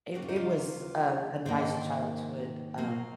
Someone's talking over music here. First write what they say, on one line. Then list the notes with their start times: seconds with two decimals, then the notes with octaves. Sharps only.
it it was a a nice childhood, um,
0.14 D#2 C#3 F#3 A#3 F#4
0.22 F4
0.29 D#4
0.36 F4
1.45 G#2 D#3 A#3 C5
2.77 G#2 F#3 A#3 C5